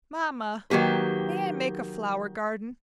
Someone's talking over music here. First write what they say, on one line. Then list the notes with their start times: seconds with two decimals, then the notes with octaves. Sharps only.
"Mamma, may I make a flower-garden?"
0.70 D#3 F#3 A#3 G4 B4